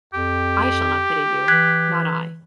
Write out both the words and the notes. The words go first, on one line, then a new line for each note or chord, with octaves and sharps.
I shall not pity you, not I.
F2 G4
E3 F#6 G#6 B6